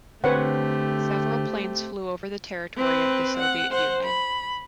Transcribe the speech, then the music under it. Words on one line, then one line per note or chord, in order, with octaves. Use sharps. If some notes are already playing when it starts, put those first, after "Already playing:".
Several planes flew over the territory of the Soviet Union.
D3 A3 C4 G4 B4 C#5 F#5
C4 B4
F#5
C5 F#5
B5